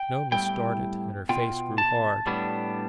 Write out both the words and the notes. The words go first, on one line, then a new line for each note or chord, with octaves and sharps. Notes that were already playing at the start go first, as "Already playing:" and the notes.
Noma started, and her face grew hard.
Already playing: G5
A2 G3 B3 E4 G5
B2 B3 F4 G5
A5
A2 G3 B3 D4